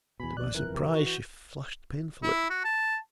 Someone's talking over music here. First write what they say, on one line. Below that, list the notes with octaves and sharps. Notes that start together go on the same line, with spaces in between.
To my surprise, she flushed painfully.
E2 B2 G#5 B5
A#1 D#2 D5 F#6
G1 F2 E3 A#4
C3
E3 F#4
G6
E4
F#4
A5